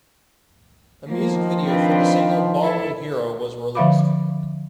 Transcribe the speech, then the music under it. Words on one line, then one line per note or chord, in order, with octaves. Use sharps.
A music video for the single "Barroom Hero" was released.
D#3 F3 A#3
C4 D4 B4
E4 A4
D3 F3 E5 F5 B5 D6